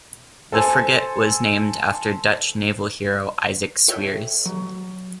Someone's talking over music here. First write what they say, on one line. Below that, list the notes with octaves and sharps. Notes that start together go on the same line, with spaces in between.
The frigate was named after Dutch naval hero Isaac Sweers.
A4 C5 G#5
A4 C#5 E5 G5
F#3